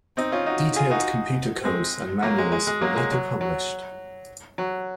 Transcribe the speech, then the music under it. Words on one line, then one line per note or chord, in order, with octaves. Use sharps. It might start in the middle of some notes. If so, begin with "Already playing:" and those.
Detailed computer codes and manuals were later published.
C4 D#4
C#4 F4
D#4 F#4
F4 G#4
D#4 F#4
G#3 C4
F#3 A#3
G#3
G#3
G#3
F#3 A#3
G#3
F#3
F#3
F#3